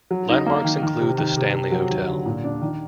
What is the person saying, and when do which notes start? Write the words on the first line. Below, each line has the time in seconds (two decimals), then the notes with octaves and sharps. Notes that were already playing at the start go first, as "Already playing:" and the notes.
Landmarks include the Stanley Hotel.
0.11 F#3
0.29 D#4
0.46 A#3
0.64 D#3
0.83 D#3
1.00 C3
1.18 D#3
1.37 C3
1.53 C3
1.72 F#3
1.90 D#2
2.08 D3
2.26 A#2
2.44 D4
2.61 D#3